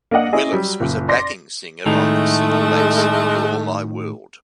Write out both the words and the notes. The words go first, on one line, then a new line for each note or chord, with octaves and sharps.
Willis was a backing singer on Cilla Black's You're My World.
A#3 D4 D#5 F#5
C#4 E4 G#4 D#5
F#3 G3
F#1 A#2
D5 C6 A#6
A2 D#3 G#3 A3